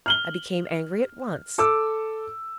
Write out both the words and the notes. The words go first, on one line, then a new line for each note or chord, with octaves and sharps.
I became angry at once.
F6 F#7 G7
A4 D6 E6